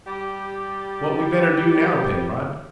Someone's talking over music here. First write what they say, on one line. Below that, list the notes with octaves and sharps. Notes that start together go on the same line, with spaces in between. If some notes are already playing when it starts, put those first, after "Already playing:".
"What we better do now, Penrod?"
G3 G4